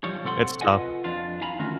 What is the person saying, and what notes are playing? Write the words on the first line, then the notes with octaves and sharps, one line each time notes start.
It's tough.
F3 G3 C#5
C3 C4 A4 F#5 C6
F4 B4 D#5 F#5 G#5
F2 D4 F4
E4 F5 G#5 A#5 B5
D3 D#3 A3 C#4 F4 F#4